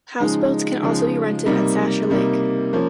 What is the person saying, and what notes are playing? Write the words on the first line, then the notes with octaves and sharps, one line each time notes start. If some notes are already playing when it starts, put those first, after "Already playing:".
Houseboats can also be rented at Shasta Lake.
C#3 F3 G#3 D#4
C#3 F3 G#3 D#4
C3 G3 A#3 D#4
C3 G3 A#3 D#4
F3 A#3 C#4